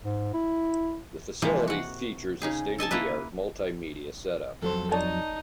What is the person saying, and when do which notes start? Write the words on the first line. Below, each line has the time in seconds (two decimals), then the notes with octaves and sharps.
The facility features a state-of-the-art multi-media setup.
0.03 G#2
0.34 E4
1.42 C3 E3 F3 G#3 A#3
1.68 F#4 F#5
2.42 C#3 D#4 G#4
2.78 A4 D#5 G#5 A5
2.91 A#3 E4 B4 D#5
4.62 F2 F#3 A4 C5
4.91 D#4 C#5 D5 A5